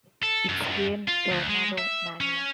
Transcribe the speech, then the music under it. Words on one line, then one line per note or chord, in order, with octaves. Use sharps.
Its game Tornado Mania!
A4
F#2
F4
D2
G#3
E5
C#4